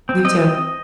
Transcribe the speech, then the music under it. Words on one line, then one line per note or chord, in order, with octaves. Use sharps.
You too.
C4
C4 D#5